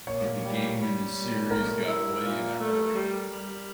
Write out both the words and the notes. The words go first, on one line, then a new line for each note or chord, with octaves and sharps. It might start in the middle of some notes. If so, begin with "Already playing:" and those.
But the game and the series got away in a hurry.
A#2 C#5
G3
G3
A#2
A3 A#4
E4
A#2
A3
G3
G3